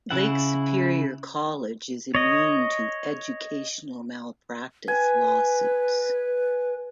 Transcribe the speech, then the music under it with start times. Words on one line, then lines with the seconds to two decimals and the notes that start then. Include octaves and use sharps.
Lake Superior College is immune to "Educational Malpractice" lawsuits.
0.10 C#3 E4 F#5
2.15 C#5 D#5
4.88 B4 G#5